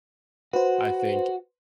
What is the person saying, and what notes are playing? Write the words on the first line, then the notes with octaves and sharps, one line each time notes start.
I think,
F#4 B4 C5